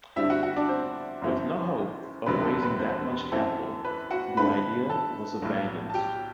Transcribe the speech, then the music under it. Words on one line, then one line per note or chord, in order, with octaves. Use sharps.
With no hope of raising that much capital, the idea was abandoned.
G2 D3 G3 C4 E4 E5
F#4 F#5
F#4 F#5
D4 D5
C4 C5
F#1 F#2 E3 A3 C4
E1 D2 C3 F#3 B4
A4
B4
C4 C5
F#2 E3 A3 C4 A4
B4
F#4 F#5
G2 D3 A3 C4 B4 B5
A4 A5
B1 A2 F#3
A5
G4 G5